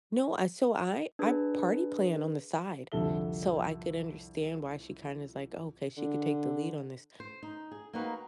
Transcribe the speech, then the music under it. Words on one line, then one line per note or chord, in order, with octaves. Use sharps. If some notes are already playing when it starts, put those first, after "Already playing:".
No, I so, I I party plan on the side, so, I could understand why she kinda is like, "Okay, she could take the lead on this,"
D4 G#4 B4
C2 F2 D3 A4 E5 G7
D3
C5
D#4
G#4
A#3 C4 D#4 F#4 B4